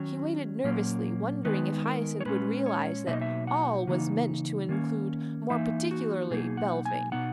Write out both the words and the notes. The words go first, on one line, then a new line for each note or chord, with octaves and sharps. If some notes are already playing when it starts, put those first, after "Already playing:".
He waited nervously, wondering if Hyacinth would realise that "all" was meant to include more particularly Belvane.
Already playing: D#3 F#3 C#4
A#2 F#3 A#3 C#4
D#3 G#3 B3 D#4 B4
A#4
C#5
A#2 G#3 C#4 B4
C#5
B2 F#3 A#3 D#4 E5
D#5
E5
F#5
C#3 E3 A#3 D#4
D#3 A#3 C#4
E3 A#3 D#4 E5
F#4
B2 F#3 A#3 D#4 G#4
F#5
G#5
B2 G#3 B3 D#4 F#5